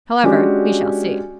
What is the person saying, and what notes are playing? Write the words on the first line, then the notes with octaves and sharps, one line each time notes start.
However, we shall see.'
G#3 C#4 D4 F#4 G4